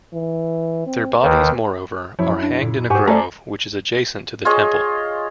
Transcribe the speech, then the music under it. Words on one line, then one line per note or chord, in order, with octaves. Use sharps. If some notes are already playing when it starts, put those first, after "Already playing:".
Their bodies, moreover, are hanged in a grove which is adjacent to the temple.
E3
C4
D#2 D#3 B4
F#2 F3 E4 C#5
D4
A#2
G#2 G4 C5 F#5 G#5 C#6
A3 A4 C5 D5 G#5 A#5
F4 G#4 C#5 D#5